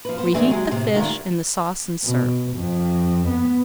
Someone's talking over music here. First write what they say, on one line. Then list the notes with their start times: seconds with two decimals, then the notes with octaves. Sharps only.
Reheat the fish in the sauce and serve.
0.05 F3 B4
0.18 B3 C5
0.34 D3 E3 A3 C4 F#4 G#4
0.50 F#3 G#3 G4 G#4
0.71 A2 C3
0.94 D3 D#3 G#3 A3 F4 G4
2.04 B2
2.56 F2
3.28 B3